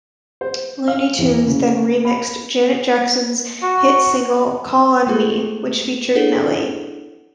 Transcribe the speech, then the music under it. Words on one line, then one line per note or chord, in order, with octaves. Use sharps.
Luny Tunes then remixed Janet Jackson's hit single "Call on Me", which featured Nelly.
C5
F5
E2
C#3
B5
F#4
G#3 A3 F4 G#4 A4
D4 E4 G#4 A4 C#5 F#5